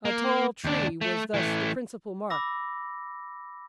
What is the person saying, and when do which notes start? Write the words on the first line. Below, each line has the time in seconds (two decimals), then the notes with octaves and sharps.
A tall tree was thus the principal mark.
0.05 A#3
0.64 D#2 D4
1.01 A3
1.34 E3 A3
2.30 B5 D6 E6 A#6